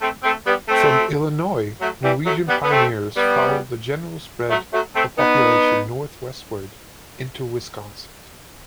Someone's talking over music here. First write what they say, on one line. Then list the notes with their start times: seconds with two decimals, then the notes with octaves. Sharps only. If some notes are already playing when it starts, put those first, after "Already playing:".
From Illinois, Norwegian pioneers followed the general spread of population northwestward into Wisconsin.
0.02 A3 C4
0.24 A3 C4
0.47 G3 B3
0.69 A3 C4
1.81 F#3 A3
2.04 E3 G3
2.26 F#3 A3
2.49 G3 B3
2.63 B3
2.71 A3 C4
3.16 G3 B3
4.50 F#3 A3
4.73 F#3 A3
4.96 A3 C4
5.18 B3 D#4